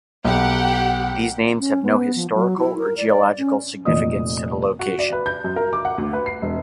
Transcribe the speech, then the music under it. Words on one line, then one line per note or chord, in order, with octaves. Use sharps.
These names have no historical or geological significance to the location.
B1 G4 F#5
C#4
B3
F3
F#3
E4
A#4
D5
D5
C#4
F1 A#2 D#5 D#6
F#4
D5
B4
G6
F#2
A#4
D6
F#5
D2
B4
C7
E1